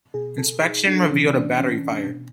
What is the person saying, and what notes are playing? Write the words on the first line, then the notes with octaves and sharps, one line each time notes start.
Inspection revealed a battery fire.
B2 G#4
A4
D#4
D4
C3 E3 C#4
D4
C#4
B2